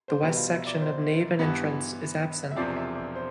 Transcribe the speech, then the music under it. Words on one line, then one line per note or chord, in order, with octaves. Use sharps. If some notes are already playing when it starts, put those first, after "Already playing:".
The west section of nave and entrance is absent.
C5
B1 B2 G3 B4
F4
E5
D5
C5
G2 E3 B3
E5
E1 E2 C3 F3 C4 D5
E5
D5
C5